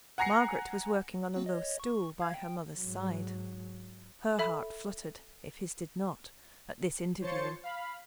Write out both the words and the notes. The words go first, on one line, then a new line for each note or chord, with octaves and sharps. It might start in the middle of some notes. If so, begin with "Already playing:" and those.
Margaret was working on a low stool by her mother's side. Her heart fluttered, if his did not, at this interview.
F#5 G#5 A#5 A#6 C7 C#7
A#3 C4 F#4
C#5 D#5
C#6
F5 G#6
G5
G#2 F#3
A4 E5 B5
F3 C5 C#5 C6 A6 C#7
F5 B5